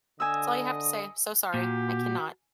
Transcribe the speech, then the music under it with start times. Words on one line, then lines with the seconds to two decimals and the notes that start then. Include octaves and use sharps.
That's all you have to say, "So sorry, I cannot."
0.20 D3 D#5 G#5 E6
1.54 A#2 F#4 G4